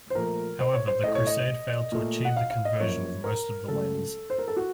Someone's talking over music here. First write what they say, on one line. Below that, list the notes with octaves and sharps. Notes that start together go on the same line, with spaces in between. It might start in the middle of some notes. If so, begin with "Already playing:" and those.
However, the crusade failed to achieve the conversion of most of the Wends.
C5
A#2 F3 A3 A#4
C5
C#5
C5
A2 A3 D#5
C#5
D#5
A#2 A3
F#5
F5
F5
D#5
F#2 F3 A#3 C#5
A#4
C#2 C#3 F#3 A3 A4
C5
A#4
A4
F#4